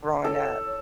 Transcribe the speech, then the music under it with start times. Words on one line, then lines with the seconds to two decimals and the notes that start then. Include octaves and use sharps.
growing up.
0.24 A4 C#5